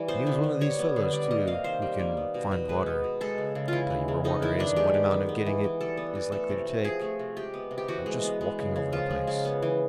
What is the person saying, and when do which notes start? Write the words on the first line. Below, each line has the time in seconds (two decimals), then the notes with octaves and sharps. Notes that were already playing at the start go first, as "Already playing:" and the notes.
And he was one of these fellows, too, who can "find water"--tell you where water is and what amount of getting it is likely to take, by just walking over the place.
Already playing: E3 G3
0.08 B3 C5
0.27 D3
0.44 D3
0.61 G3 C#5
0.79 B3
0.96 D3
1.13 G3 D5
1.31 A#3 D#5
1.48 C3 F5
1.64 D#3 C5
1.82 G3
1.99 A#3
2.17 B3
2.34 B2
2.52 B2
2.69 G#3 B4
2.86 B3
3.04 B2
3.21 G#3 A4
3.38 C#3
3.55 C#3
3.68 E3 E4 F4
3.90 G#3
4.08 C#3
4.24 B3 D#4
4.42 D#3 E4
4.59 D#3 D4
4.76 G#3 G4
4.94 B3
5.11 D#3
5.29 B3
5.46 E3
5.64 E3
5.81 G3 A4
5.97 B3
6.15 E3
6.32 A3 A4
6.49 C3
6.67 C3
6.84 F3 G#4
7.01 A3
7.19 C3
7.36 G#3 G4
7.54 B3
7.71 C3
7.78 G4
7.88 E3 F#4
8.06 G#3
8.23 B3
8.41 G#3
8.58 C#3
8.76 C#3
8.93 F3 F4
9.10 G#3
9.27 C#3
9.45 B3
9.62 E3